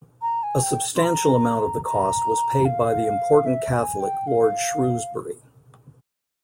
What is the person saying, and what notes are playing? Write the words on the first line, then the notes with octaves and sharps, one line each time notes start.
A substantial amount of the cost was paid by the important Catholic Lord Shrewsbury.
A#5
G#5
G5
C6
A#5
A#5
F5
E5
G#5
G5
F5